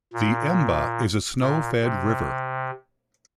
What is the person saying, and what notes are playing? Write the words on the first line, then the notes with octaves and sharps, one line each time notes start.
The Emba is a snow-fed river.
A#2
A#2
C3